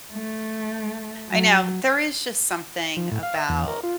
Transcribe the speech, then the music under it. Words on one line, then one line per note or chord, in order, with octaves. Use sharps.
I know, there is just something about
A3
F#3
F3
A2
F5
E5
E2
A#4
F4